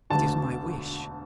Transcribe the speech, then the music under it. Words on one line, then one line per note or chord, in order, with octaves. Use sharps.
It is my wish.'
E1 D2 D3 A5